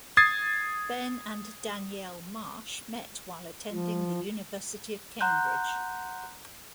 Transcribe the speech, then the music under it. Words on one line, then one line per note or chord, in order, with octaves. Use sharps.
Ben and Danielle Marsh met while attending the University of Cambridge.
D#6 G#6 A6 C7
F3
F#5 A#5 C6 F#6 G6